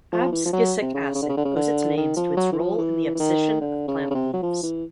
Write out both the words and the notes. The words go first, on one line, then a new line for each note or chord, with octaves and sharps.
Abscisic acid owes its names to its role in the abscission of plant leaves.
F3
E3
F3
F#3
C3
C#3
C#3
D3
C#3
D3
C#3
D3
D#3
F3
F#3
E3
F3
E3
E3
D#3
D3
C#3
C#3
C3
F#3
F3
E3